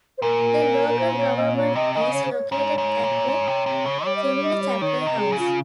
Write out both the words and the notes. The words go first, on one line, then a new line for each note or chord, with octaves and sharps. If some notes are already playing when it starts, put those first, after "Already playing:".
The local government is located at the Chinle Chapter House.
C5
A#2 A#4
A#4
C5
C5
C#5
D#5
C#5
C3 D#5
D#3 D#5
C#3
C#5
C5
C#5
G#2 C#5
G#2
A#2
G#2
C3
C3
C#3
D#5
G3 C#5
D#5
C#5
C#5
D#5
C#5
D#3 C#5
D#5
C3
G#4
C#3
F4